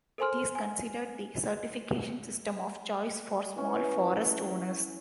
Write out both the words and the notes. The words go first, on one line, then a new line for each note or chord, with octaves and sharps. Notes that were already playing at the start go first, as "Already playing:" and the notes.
It is considered the certification system of choice for small forest owners.
A4 A#4 C5 G#5 C6 F6
G#5
E3 C#4 C#5